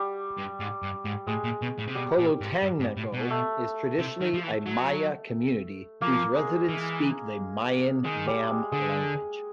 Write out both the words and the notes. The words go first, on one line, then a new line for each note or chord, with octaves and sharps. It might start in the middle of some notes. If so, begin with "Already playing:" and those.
Colotenango is traditionally a Maya community whose residents speak the Mayan Mam language.
Already playing: G3
G2
G#2
G2
G#2
A2 G#3
A#2
B2
A2
C3
B2 G3
A#2
G#2
G2
G#2
A2
B2
A3
C3
D#3
F3
E3
F#3
F3 A#3
G#3
E3
D#3 G#3
G3
G#3
D3 G#3